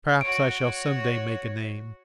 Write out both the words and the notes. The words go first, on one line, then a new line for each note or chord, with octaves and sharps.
Perhaps I shall some day make a name.
F#4 C#5 D7